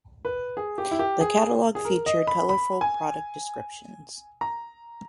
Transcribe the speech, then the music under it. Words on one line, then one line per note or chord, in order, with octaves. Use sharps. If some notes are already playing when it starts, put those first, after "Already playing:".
The catalog featured colorful product descriptions.
B4
G#4
G4
E4
G4
G#4
G#4
A#4
D#5
B5
B5
G#5
A#5